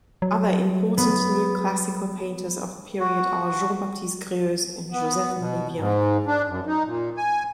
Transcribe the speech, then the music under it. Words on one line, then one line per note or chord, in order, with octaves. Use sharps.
Other important neoclassical painters of the period are Jean-Baptiste Greuze and Joseph-Marie Vien.
F#3
B3
F#4
B3
B2
G#2
D4
F#2
D#4
A#2
G#5